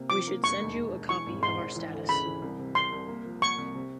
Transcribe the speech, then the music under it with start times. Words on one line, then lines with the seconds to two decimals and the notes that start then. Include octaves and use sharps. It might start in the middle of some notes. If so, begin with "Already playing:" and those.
We should send you a copy of our status.
Already playing: C3 A#3
0.10 F3 D6
0.27 A#3
0.43 E1 C#6
0.60 D#2
0.76 E1
0.92 E1
1.09 E3 C#6
1.26 G#1
1.43 G#2 C6
1.60 G#1
1.76 E3
1.93 D2
2.09 C#3 B5
2.26 E3
2.42 C2
2.59 C3
2.75 C2 C6
2.92 C2
3.08 A#3
3.25 F3
3.42 A#3 C#6
3.58 C2
3.75 C3